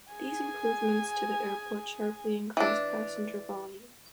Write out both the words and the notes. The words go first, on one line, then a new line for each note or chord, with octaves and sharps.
These improvements to the airport sharply increased passenger volumes.
G#4 G#5
E3 D4